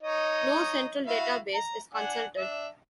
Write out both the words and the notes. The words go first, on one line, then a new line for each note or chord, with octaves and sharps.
No central database is consulted.
D#4 C#5 D#5
E4 F#4 F5
A#5
D4 F#5 G#5
D4 E5